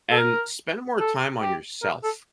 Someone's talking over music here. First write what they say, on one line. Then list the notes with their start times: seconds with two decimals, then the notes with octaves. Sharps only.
and spend more time on yourself.
0.11 A4
0.17 A#4
0.99 A4
1.41 G4
1.82 A#4
2.03 A4